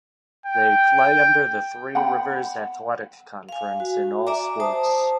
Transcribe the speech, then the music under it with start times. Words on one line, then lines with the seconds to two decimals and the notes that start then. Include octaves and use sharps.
They play under the Three Rivers Athletic Conference in all sports.
0.46 G5
1.95 F#5 G5 B5
3.49 F5 G#5
3.80 F#4
4.27 D5 E5 G#5 A#5 D6
4.60 C5 A5 D#6